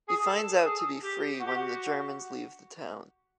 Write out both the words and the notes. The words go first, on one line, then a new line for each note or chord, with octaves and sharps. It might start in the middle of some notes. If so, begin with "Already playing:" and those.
He finds out to be free when the Germans leave the town.
G#4
A4
G#4
G4
F#4
G4
F#4